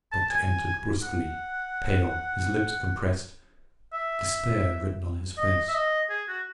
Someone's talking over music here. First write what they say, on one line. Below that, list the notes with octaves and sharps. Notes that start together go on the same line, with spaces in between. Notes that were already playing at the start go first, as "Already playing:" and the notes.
The doctor entered brusquely, pale, his lips compressed, despair written on his face.
A5
G#5
F#5
E5
D#5
E5
D#5
G#4
F#4